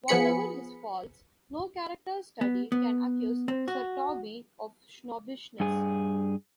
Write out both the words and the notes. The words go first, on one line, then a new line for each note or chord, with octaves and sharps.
Whatever his faults, no character study can accuse Sir Toby of snobbishness.
F3 B3 G#4 B5 C#7
B3
B3
C4
F#4
G2 G#4